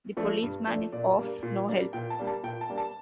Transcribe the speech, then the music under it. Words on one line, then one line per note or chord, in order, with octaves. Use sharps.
The policeman is of no help.
F3 A3 D4
G2
F3 A3 D4
A#2 D5
G3 A#3 D4
A#2
G3 A#3 D4
A#2 G5
A5
G3 A#3 D4
A5
A#2 G5
A5
G3 A#3 D4
A5